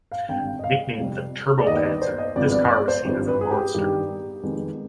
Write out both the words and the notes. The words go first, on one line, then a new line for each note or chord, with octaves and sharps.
Nicknamed the "Turbopanzer" this car was seen as a monster.
F5
G#1 G2 D3 G5
D#5
F5
F2 C3 G3
D5
D#2 D#3 B3 D#5
D5
C5
D#5
G#1 G2 F3 B3 D5
D5
D5
C5
G#1 G2 F3
B4
G#4
G4
G2 D#3 G3 B3 G4
F2 D#3 G#3 B3